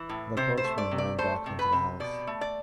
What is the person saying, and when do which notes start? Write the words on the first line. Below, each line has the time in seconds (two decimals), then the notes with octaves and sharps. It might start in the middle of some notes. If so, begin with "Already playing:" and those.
The coachman ran back into the house.
Already playing: E3
0.09 A2
0.37 C3 C5
0.57 C5
0.64 A3
0.78 D5
0.91 C3
0.98 D5
1.18 A3 C5
1.46 C3
1.59 B4
1.72 C3
2.00 B2 D5
2.27 A3
2.41 D5